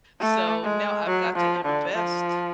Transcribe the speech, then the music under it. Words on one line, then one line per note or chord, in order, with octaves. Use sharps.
so, now I've got to invest
A3
G#3
F#3
F3
D3
F3